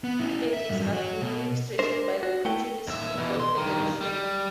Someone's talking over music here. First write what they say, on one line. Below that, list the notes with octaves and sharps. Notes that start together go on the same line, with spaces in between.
It is administrated by the Portuguese Football Federation.
B3
C#4 E4
E5
G2 F#3
F#4 C#5
B2
G#3 D4 A#4 C5
F#4
A3 B3 E4 G5
D#2 E5
B2 E3
C6
G2 D#3
G3